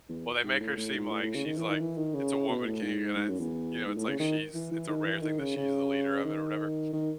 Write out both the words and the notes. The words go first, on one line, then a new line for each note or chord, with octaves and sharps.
Well, they make her seem like she's, like it's a woman king, and it's, you know, it's like she's it's a rare thing that she's the leader of it or whatever,
E2
G#2
A2
A2
G#2
A2
A2
C#3
D#3
E3
D#3
E3
D#3
C#3
B2
A2
G#2
G#2
F#2
E2
G#2
A2
C#3
D#3
E3
E3
D#3
E3
D#3
C#3
C#3
D#3
D#3